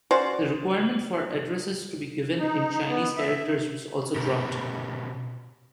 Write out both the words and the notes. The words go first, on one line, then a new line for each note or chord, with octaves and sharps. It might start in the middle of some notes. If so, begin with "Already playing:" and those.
The requirement for addresses to be given in Chinese characters was also dropped.
C#4 F#4 C5 D5
D#4
B3
E5
B2 C#4 G4 A#4 B4